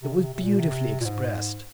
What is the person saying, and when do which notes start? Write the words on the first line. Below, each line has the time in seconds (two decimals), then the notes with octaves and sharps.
It was beautifully expressed.
0.03 C3
0.13 C#3
0.23 C3
0.34 C3
0.43 A#2
0.59 C3
1.00 A#2
1.05 G#2